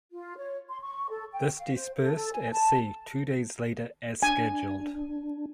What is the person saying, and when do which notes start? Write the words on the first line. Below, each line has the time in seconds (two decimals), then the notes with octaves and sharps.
This dispersed at sea two days later as scheduled.
0.12 F4
0.37 C#5
0.69 C6
0.81 C#6
1.10 A4
1.33 G5
1.58 F5
1.74 C5
2.00 A4
2.15 A4
2.33 G#5
2.51 A5
4.23 D4 G#5